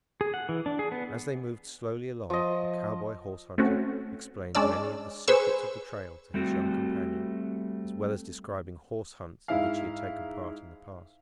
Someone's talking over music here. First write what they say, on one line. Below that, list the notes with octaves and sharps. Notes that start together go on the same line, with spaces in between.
As they moved slowly along, the cowboy horse-hunter explained many of the secrets of the trail to his young companion, as well as describing horse-hunts in which he had taken part in the past.
G#4
F#5
E3
D4
G#4
B3
F3 D#5
A3 C4 C#4 F#4
G#3 C#4 D4 D5 E6
G#4 B4 C5 C#6 E6
G3 A3 C4 F#4
G#2 E4 F5